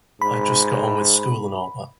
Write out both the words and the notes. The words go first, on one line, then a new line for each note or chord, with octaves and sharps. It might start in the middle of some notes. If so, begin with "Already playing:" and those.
I just got on with school and all that.
G#2 B5